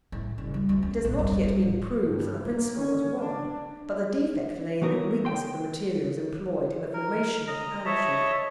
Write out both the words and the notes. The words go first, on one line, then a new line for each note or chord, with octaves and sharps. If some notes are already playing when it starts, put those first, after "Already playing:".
It has not yet been proved that the principle was wrong, but the defect lay in the weakness of the materials employed in the formation of the Parachute.
A2
F#1
G3
D2
C#4
A#1
G2
F#2
G2
D1
G2
A#3
C#4
D4
E3 F#3 B3 D#4 A#4
G5 C6
A#4
D#5 A#5
C#5 D#5 E5 A5